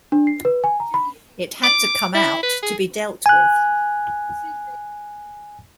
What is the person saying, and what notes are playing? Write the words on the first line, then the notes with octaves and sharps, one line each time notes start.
It had to come out, to be dealt with.
D4
C7
B4
G#5
A#5
B5
D6
E4
B4
G#4
G#5 F#6